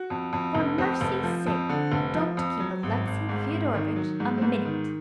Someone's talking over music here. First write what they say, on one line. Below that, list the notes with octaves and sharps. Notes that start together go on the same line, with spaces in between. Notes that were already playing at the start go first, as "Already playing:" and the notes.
For mercy's sake, don't keep Alexey Fyodorovitch a minute.
Already playing: F#4
F2
F2
F1
F2 C4
F1
F3
F2
D3
F1
F3
F2
F#3
G#1
G#1
G#2
G#1
D#3
F#3
G#2
C4
G#2 B3
D#3